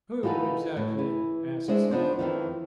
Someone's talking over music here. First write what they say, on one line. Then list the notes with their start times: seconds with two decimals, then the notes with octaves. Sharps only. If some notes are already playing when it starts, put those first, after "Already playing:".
"Who, exactly?" asked Smith.
0.23 E3 D#4 F4 F#4 A4 B4
0.76 A2
0.99 E3
1.68 G#3 D4 C5 E5
1.91 F3 B3 D4 D#4 C5
2.19 F2 A2 D#3 E3